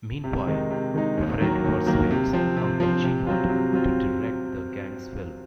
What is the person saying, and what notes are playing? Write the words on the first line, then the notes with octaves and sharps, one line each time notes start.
Meanwhile, Fred persuades Uncle Jeannot to direct the gang's film.
C3
D#3 G#3 D#4
C3
D#3 G#3 D#4
D#2
D#3 F#3 A#3
D#2
D#3 F#3 A#3
C3
F3 C4
C3
F3 C4
C3
F#3 C4 F4
C3
F#3 C4 F4